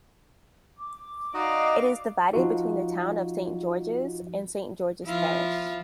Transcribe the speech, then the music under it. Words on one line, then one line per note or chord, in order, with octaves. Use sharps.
It is divided between the town of Saint George's and Saint George's Parish.
D6
D#4 F#4 D5 D#5 F5
F3 D#4 F4 F#4
F3 E4 F4